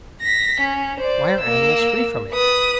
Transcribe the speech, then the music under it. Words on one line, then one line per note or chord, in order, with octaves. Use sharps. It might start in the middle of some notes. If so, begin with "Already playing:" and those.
Why are animals free from it?
A#6 B6
C#4
C5 D5
A#3 E6
B4 D#6